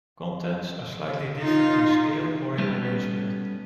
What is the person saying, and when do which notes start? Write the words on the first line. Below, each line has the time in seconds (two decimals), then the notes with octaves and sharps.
Contents are slightly different in scale, or in arrangement.
1.40 D#4 F4
2.58 G3 A3 B3 C#4 G4